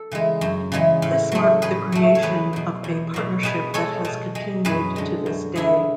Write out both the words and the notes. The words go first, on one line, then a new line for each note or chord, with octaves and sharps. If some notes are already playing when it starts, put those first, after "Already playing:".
This marked the creation of a partnership that has continued to this day.
Already playing: A4
C#3 E3 G#3
F#2
C#3 E3 G#3
A2
F#3 A3
A2 G#4 B4
F#3 A3
C#5
E2 G#4 B4
B2 F#3
E2
B2 F#3
B2 G#4 B4
G#3 A4 C#5
B2
G#3
F#2 G#4 B4
D3 G#3
F#2
D3 G#3 E4 G#4